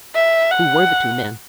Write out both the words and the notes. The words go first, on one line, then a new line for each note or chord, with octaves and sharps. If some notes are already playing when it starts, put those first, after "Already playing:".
"Who were the two men?"
E5
F#5